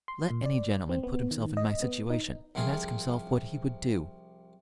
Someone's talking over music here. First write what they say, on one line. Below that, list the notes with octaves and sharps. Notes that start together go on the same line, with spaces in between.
Let any gentleman put himself in my situation, and ask himself what he would do.
C6
A#2
D5
C4
B3
D#3
D#5
B3
D#4
C2 C3 F3 F4 G#4